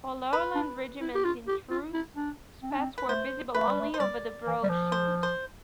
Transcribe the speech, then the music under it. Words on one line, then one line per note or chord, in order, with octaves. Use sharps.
For Lowland regiments in trews, spats were visible only over the brogue shoes.
B4
D4
E4
G4
F4
G4
F4
E4
D4
C4
D4
C4
B4
A3 C5
A3 B4
G3
A3
C5
G3 D5
E3
G3
F3
C5
C5